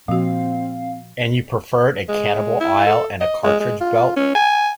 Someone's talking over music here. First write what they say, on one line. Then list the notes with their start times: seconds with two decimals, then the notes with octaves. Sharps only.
And you preferred a cannibal isle and a cartridge belt.
0.08 A#2 F3 C4 F#4 F5
2.09 G#3
2.60 E4
2.86 A4
3.20 D#5
3.44 G#3
3.60 G#3
3.81 F4
4.16 C#4
4.35 G#5